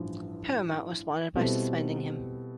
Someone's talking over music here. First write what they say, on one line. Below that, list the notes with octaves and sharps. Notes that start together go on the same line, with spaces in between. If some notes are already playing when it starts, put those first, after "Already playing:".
Paramount responded by suspending him.
Already playing: A1 G2 F3
B2 G3 C4 E4 A4